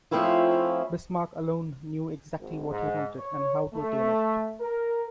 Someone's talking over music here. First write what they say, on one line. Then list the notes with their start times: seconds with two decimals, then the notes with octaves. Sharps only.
Bismarck alone knew exactly what he wanted, and how to attain it.
0.11 F3 A3 C4 C#4 E4 F4
2.39 G#1
2.70 G#2
3.19 C#5
3.73 A3
4.60 A#4